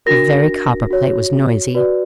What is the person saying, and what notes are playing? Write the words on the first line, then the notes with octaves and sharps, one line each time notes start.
The very copperplate was noisy.
D4 F#4 A#4 A#6
F#4 C#5
F#4 B4 D5